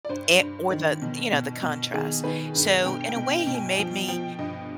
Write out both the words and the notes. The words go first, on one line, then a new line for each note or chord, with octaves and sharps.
A or the, th you know, the contrast. So, in a way, he made me
D5
G2 C5
G2
D#3
B2
B2
B2
D#3 G#4
D#3 B4
G2
B2 G5
G5
B2
G5
B2
G#5
F3 G5
F3 G5
G2 D#5